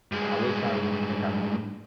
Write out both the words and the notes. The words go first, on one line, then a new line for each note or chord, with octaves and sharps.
So, I wish I would like, I knew
G2 G#3